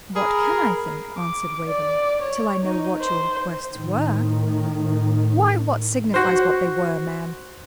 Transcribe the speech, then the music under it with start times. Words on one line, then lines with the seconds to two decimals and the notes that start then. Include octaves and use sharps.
'What can I think,' answered Waverley, 'till I know what your requests were?' 'Why, what signifies what they were, man?
0.15 G#4 A#4 B5
1.17 D6
1.65 D5
2.22 C#5
2.63 D#4
3.01 C5
3.70 A2 D#3
6.14 F#4 C5